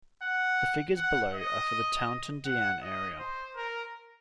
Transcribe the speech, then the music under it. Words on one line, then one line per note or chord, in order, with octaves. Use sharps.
The figures below are for the Taunton Deane area.
F#5
F#5
D#5
F#5
D#5
C5
A#4